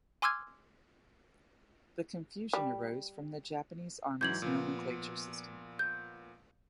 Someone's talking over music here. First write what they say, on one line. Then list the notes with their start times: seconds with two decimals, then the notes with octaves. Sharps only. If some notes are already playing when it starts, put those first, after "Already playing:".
The confusion arose from the Japanese Army's nomenclature system.
0.22 G#5 C6 D6 E6 F6 G#6
2.53 G3
4.21 G#2 E3 F#3 G6 G#6 F#7
4.42 A#2 F3 B3
5.79 G6